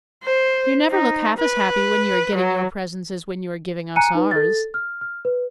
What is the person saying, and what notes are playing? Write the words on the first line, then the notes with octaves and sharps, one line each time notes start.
You never look half as happy when you are getting your presents as when you are giving us ours.
C5
D#4
B4
F#3
G#5 A#5 F#6 C#7 D#7
D#4 B4
A4 A6
F6
F6
B4